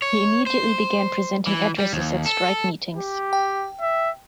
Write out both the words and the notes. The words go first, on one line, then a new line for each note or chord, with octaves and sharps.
He immediately began presenting addresses at strike meetings.
C#5
C5
E3
G3
D#2
A4
G4
G5
E5